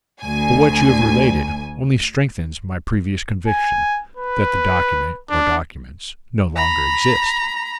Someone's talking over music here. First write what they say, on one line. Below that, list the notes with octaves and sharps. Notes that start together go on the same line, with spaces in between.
But what you have related only strengthens my previous conviction, that the document or documents no longer exist.
D2 G#5
G#5
B4
D4
A#5 B5